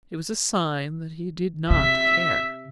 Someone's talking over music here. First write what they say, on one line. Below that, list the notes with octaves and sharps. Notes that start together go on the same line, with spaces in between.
It was a sign that he did not care.
C3 E5 B6